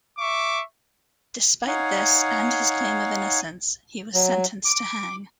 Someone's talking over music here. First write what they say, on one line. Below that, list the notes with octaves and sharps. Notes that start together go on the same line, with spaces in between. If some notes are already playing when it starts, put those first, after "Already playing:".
Despite this and his claim of innocence, he was sentenced to hang.
E5 C#6 D6
D#4 C#5 F5 F#5 G#5
F#3
D6